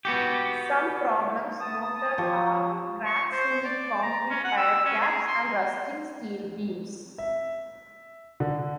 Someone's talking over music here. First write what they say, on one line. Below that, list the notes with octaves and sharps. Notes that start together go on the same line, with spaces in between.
Some problems noted are cracks in the concrete pier caps and rusting steel beams.
B3 F#4 G4
A5 D#6
F3 G4 C#5
C#6
C5
D5
A#5
C#4
F#5
E6
C#4
G#4
C6
E5
D3